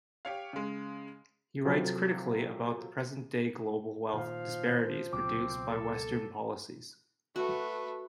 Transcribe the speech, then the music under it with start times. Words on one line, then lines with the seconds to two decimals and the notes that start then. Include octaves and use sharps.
He writes critically about the present-day global wealth disparities produced by Western policies.
0.25 G4 C#5 F5
0.53 C#3 G#3
1.65 C3 F3 F#3 A4
4.13 A#2 D#3 F3 F5
5.13 C#2 B2 F#3 C4 D6
5.69 A4
7.36 A3 F#4 B4